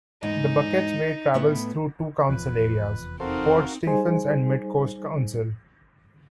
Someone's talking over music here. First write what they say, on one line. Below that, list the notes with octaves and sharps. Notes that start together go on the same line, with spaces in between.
The Bucketts Way travels through two council areas: Port Stephens and Mid-Coast Council.
E2 G#2 D#4
A2 B3 E5
F1 E2 F3 B4
C4 D#4 F#4 A4 A#4 C5 F5
G3 D#4 G#4 C5 G#5